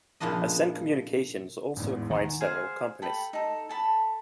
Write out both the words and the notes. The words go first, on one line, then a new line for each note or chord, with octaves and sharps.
Ascend Communications also acquired several companies.
A#2 C#3 F3 B3 D4 D#5
A1 E2 G#2
D#3 F#5 G#5
G#4 C5 F5 F#5
A4 G5 B5
D#4 A4
A4 A5 B5